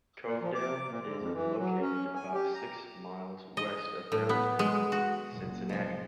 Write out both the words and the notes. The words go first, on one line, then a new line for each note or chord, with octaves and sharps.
Covedale is located about six miles west of downtown Cincinnati.
A#2
F3
D6
A#2
D3
F2
E3
F#3
C#4
G#5
G4
A#5
D#5
A2
B3
G#3
F#4
F#1 A#2 C#3
F3 G#3